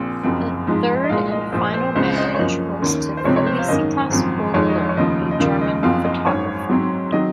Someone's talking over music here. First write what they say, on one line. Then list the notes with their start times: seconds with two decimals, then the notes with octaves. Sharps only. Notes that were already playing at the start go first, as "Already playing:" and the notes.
The third and final marriage was to Felicitas Vogler, a German photographer.
Already playing: A#1 A#2 F3 C4 F5
0.23 F#1 F#2 F3 C4
0.67 G#2 F3 G#3
1.04 D#5
1.09 C2 A#2 G#3 F5
1.32 D#5
1.52 A#1 A#2 F3 C5
1.74 C5
1.95 C#2 C#3 G#3 C4 C5
2.17 D#5
2.34 C#5
2.39 F#2 F3 A#3 C#4 D#5
2.82 D#2 D#3 A#3 C#4
3.17 C5
3.24 C#2 C3 F3 C4 C#5
3.36 C#5
3.47 C5
3.59 F5
3.68 G#1 F#2 D#3 A#3 C#4 D#5
4.10 G#1 F#2 F3 C4
4.54 F2 D#3 G#3 C#5
4.68 D#5
4.89 C#5
4.97 F1 D#2 C#3 F3 D#5
5.31 D#5
5.40 D#2 C#3 F3 A#3 F5
5.61 D#5
5.83 F#1 F#2 F3 C4 F5
6.04 D#5
6.26 G#1 F#2 D#3 C#5
6.69 G#2 F#3 C4
7.12 D#3 F#3 C4 D#5